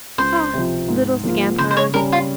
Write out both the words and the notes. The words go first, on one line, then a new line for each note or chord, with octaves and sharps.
Ah, little scamperers!
C#2 C5
C3 F3
G#2
F3 A#3 F4
C#3 C5
C5
C#5
G3 C#4 A#4
F4